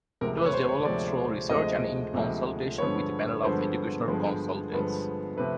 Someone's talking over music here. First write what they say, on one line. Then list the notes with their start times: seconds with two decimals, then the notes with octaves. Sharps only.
It was developed through research and in consultation with a panel of educational consultants.
0.21 D2 C3 F3 G#3 A#4
0.37 B4
0.46 C#5
0.53 C5
0.69 C#5
0.85 D2 C3 F3 G#3 D5
1.49 D2 C3 F3 G#3 D#5
2.14 D2 C3 F3 G#3
2.78 G2 D3 F3 G#3 B3 C#5
3.43 G2 D3 F3 G#3 B3 C5
4.08 G2 D3 F3 G#3 B3
4.72 G2 D3 F3 G#3 B3
5.37 C3 F3 A3 B4